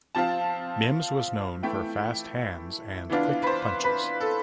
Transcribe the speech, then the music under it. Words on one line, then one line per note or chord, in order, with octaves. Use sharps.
Mims was known for fast hands and quick punches.
F3 C4 F4 A5
E3 A3 E4 G5
E3 B3 D4 F4
B4
C5
B4
A4